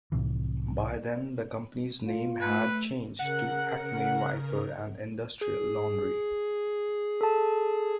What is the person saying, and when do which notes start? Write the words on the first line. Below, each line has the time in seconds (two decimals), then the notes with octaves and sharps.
By then, the company's name had changed to Acme Wiper and Industrial Laundry.
0.12 C2 A2 C3 E3
2.07 F4
2.41 A3 B4
3.19 C#3 A#4 F#5
5.41 G#4
7.21 A4 A5